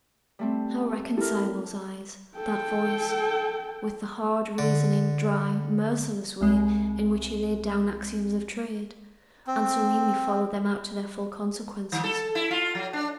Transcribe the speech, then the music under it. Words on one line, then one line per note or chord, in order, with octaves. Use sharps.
How reconcile those eyes, that voice, with the hard-reasoning, dry, merciless way in which he laid down axioms of trade, and serenely followed them out to their full consequences?
G3 A3 C4
E4 G4 A4 A#4
A4 G5
D3
C2 G#3
C4
D#3
A4
E4
F4
F#3
D4